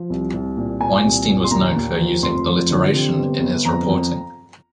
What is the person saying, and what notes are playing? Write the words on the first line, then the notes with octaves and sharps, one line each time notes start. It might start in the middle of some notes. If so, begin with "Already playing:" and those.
Weinstein was known for using alliteration in his reporting.
Already playing: F3
C2
C2
A#2
A#2 G#5
C2
A#2
C6
D#2 A#5
D#2
F3
F1 C6
F3
D3
C3
G1
G1
F2 A#5
F2